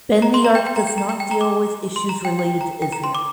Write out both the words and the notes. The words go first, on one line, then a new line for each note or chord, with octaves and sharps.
Bend the Arc does not deal with issues related to Israel.
A#5
C6
A#5
G5
G5
A#5
G5
A#5
G5
G5
A#5
D6
C6
A#5
G5
G5
A#5
G5
A#5
C6
D6